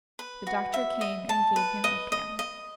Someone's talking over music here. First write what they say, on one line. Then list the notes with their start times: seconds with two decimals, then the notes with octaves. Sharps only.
The doctor came and gave him opium.
0.19 B4
0.47 F#4
0.74 E5
1.01 D#5
1.29 A5
1.56 B4
1.84 D#5
2.12 D#5
2.39 D#5